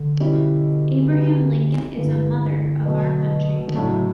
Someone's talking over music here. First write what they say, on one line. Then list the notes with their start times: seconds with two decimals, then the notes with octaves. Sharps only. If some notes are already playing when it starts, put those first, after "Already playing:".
Abraham Lincoln is a 'mother' of our country.
Already playing: D3
0.20 B2 G3 C#4 E4
1.08 D2 C#3 G3 B3
1.97 G2 D3 E3 B3
2.85 B2 F#3 A3
3.68 D3
3.74 A2 C#3 F#3 A3 D4